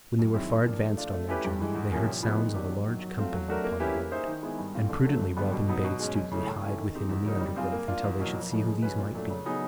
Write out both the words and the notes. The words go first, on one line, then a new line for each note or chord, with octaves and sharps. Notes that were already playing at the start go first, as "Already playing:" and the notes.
When they were far advanced on their journey they heard sounds of a large company upon the road; and prudently Robin bade Stuteley hide with him in the undergrowth until they should see who these might be.
F#2
D#3 G#3 C4 E4
A#2
F3 A#3 D4
A3
D4 F4
A3
C#4 E4 G4 B4
G2
E3 G#3
E2
C3 F3 A#3 C#4
A#2
F3 G#3 B3
D#3
F#3 A#3 D4 G4
F#2
D#3 F#3
F#3
A3 C4 F4
F#3
A3 D4 F#4 A#4
A#3
C#4 E4 G4 B4
A#3
D#4 G#4 C5 E5
D#3
G#3 B3 E4 G#4
G2
E3 A3 C4 F4
D3
F#3 A3
F#2
D3 G3 B3
B2
F#3 B3 D#4
B2
G#3 C#4
F#2
C#3 E3 A3
A2
E3 A3 C#4 E4
D#3
G#3 C4 D#4 G4
E2
C#3 F#3 A#3 D#4
G3
C4 F4 G#4
A#3
D4 F4
E2
B2 F#3 A#3
F2
C#3 F3 A3
G#3
C#4 F#4 B4
A#2
F#3 A3 D4
C#3
F#3 B3 D#4 G#4